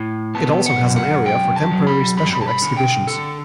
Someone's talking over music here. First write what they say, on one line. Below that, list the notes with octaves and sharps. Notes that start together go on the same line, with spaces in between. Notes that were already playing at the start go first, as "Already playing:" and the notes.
It also has an area for temporary special exhibitions.
Already playing: A2
B3 A5
F#5
F#2
F#5
F#2 G5
A5
F#3
B5
G2 B5
B5
A5
B5
D3
G5
D3 A4